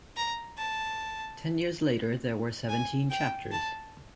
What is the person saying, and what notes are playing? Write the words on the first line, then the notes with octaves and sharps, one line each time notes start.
Ten years later, there were seventeen chapters.
A#5
A5
G#5
G5
A5